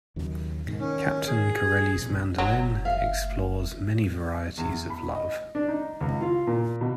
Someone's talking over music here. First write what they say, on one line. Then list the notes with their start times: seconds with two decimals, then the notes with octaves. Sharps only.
"Captain Corelli's Mandolin" explores many varieties of love.
0.16 D#2 C#3 F#3
0.66 G#2 B2 D#3
0.80 D#3 C#4
1.27 G#4
1.95 A#1 C3
2.38 F#1 F#3
2.85 E5 F5
4.57 E2
4.90 B5
5.15 D#5
5.55 D4
5.68 D#4
6.01 C#2
6.21 F4
6.47 A#2
6.81 B2